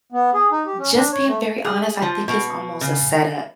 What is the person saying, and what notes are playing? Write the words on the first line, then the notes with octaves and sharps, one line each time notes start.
just being very honest, I think it's almost a set-up.
B3
G#4
D#4
G4
C#4
D4
C#5
A3
G#4
F3
B2
C#3